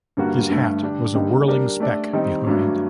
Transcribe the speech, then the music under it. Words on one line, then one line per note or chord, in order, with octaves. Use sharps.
His hat was a whirling speck behind.
G2 D3 G3 A#3 F#4
G2 D3 A3
D3 G3 D4 G4
D3 G3 A#3 D#4 G4
G3 D4 G4 A#4 D5
A3 D4 G4 D5
D#3 G3 C4 D#4
G2 F#3 A3 D4